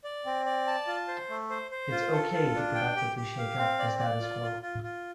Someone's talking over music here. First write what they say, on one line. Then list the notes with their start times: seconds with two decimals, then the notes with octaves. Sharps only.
It's ok to productively shakeup the status-quo.
0.04 D5
0.26 C4
0.46 D5
0.67 A5
0.87 F4
1.08 C5
1.29 A3
1.50 C5
1.71 C5
1.91 F4
2.12 A4
2.33 F4
2.55 D4
2.75 G5
2.96 G4
3.16 G4
3.38 F5
3.58 C4
3.79 D5
3.99 D5
4.21 F4
4.41 F4
4.62 F4
4.83 F4